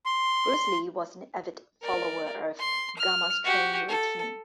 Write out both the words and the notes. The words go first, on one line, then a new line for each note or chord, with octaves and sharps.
Bruce Lee was an avid follower of Gama's training routine.
C6
A#4 D5
C6
F6
F#4 G4
A4